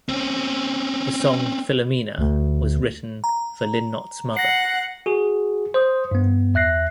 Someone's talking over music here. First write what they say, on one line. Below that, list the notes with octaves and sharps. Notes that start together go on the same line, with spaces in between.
The song "Philomena" was written for Lynott's mother.
C4 C#4
D2
A#5
F#5 A#6 C7
F#4 G#4
C5 D#6
G2 B3
E2 E5 F#6 A#6 C7